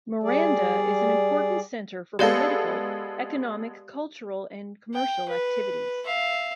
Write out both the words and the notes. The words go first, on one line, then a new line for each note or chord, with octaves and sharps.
Miranda is an important center for political, economic, cultural and commercial activities.
G3 G#4 D5
G#3 B3 G4 A4 D5 F5
G5
B4
E5 F5